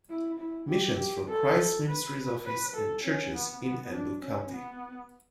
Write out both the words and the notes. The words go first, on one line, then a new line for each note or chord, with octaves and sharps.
Missions for Christ Ministries office and churches in Embu county.
E4
E4
G4
G4
A4
B4
B4
A4
C#4
B3
B3
D4
C#4
B3